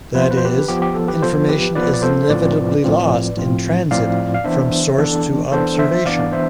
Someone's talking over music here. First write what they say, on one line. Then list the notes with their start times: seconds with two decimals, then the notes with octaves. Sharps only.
That is, information is inevitably lost in transit from source to observation.
0.15 F3 B3 F4 B4
0.22 C5
0.30 B4
0.37 C5
0.45 G4 B4
0.68 F3 B3 F4 G4
0.82 G4
0.95 A4
1.08 G4 B4
1.22 F3 B3 F4 A4 C5
1.49 G4 B4
1.75 F3 B3 F4 B4 D5
1.94 D5
2.02 A4 C5
2.30 A2 F3 C4 F4 B4 D5
2.84 A2 F3 C4 F4
3.37 A2 F3 C4 F4
3.91 A2 F3 C4 F4 D5 F5
4.34 F5
4.44 E3 B3 D4 C5 E5
4.98 E3 B3 D4 A4
5.52 E3 B3 D4 A4 C5
5.79 C5 E5
6.06 E3 B3 D4 D5 F5
6.32 C5 E5